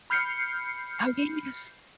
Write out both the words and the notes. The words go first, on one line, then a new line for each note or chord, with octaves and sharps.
Oh, yes.
B5 F6 G6 C7 C#7